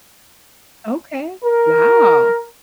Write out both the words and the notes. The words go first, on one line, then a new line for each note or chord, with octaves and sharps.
Okay. Wow.
A#4